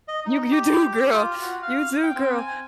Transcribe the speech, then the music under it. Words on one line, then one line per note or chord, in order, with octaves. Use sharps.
You d you do, girl. You do, girl.
D#5
D#4
G4
F4
F#4
F5
G5
C4
G#5